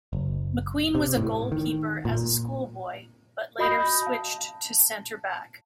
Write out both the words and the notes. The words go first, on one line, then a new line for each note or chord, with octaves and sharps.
McQueen was a goalkeeper as a schoolboy, but later switched to centre-back.
F#1
C3
A2
D#3
A#2
F#4 D#5 B5 D#6 G6 A#6
F5 A5